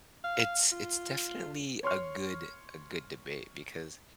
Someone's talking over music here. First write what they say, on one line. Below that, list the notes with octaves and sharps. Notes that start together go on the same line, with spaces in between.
it's it's definitely a good a good debate because,
F5
F4
C#5 C6 C#6 F6